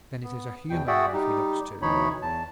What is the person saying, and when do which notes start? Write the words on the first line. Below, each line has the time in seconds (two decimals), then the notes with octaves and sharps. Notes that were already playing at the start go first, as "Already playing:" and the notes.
Then it is a human life he looks to!
0.23 B3
0.70 E2 B2 G5
0.87 F#4 G#4 D5 E5 F#5 G5
1.13 G3 D#4 G4
1.82 D2 B2 E3 D#4 C#5 B5
2.22 E2 A5